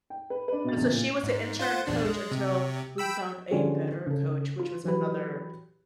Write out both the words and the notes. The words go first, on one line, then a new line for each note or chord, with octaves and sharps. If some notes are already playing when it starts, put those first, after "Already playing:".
And so, she was the interim coach until we found a better coach, which was another
G5
B4
D4 B4
B2 D#5 A6
E2 C#3
A#2
G#2
F4 C5 F#5
A#1 E2 D4
G#3
C3
G5 B5 E6
D3 F3 G3 C#4 G4 G#4
C#3 A4
F4
E3 F#3 G4 B4